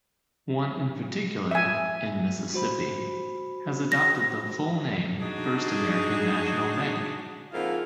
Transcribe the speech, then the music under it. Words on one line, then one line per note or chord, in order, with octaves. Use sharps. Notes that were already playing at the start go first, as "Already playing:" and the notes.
One in particular, in Mississippi, has adopted the full name "First American National Bank".
E5 G#5
F#4 C5 B5
A#6
D4 D#4 F#4 G#4
F2 G#2 A#3 E4 F4